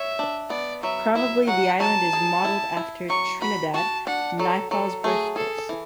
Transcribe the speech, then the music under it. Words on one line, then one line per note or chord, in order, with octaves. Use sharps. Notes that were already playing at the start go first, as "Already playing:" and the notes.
Probably the island is modeled after Trinidad, Naipaul's birthplace.
Already playing: C#5 E5
D4
B3 D5
F#3 E5
E4 E5
F#3 F#5
F#3 A5
G#4
E4
E4
F#3 C#6
F#4 B5
F#4 A5
D4 F#5
F#3 A4
F#3 A4
A3 G#4
G#4 A4
E3